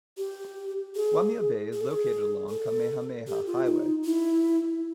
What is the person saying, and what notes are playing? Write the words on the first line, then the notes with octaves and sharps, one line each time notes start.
Waimea Bay is located along Kamehameha Highway.
G4
G#4
G#4
A4
G#4
A4
G4
F4
D#4
E4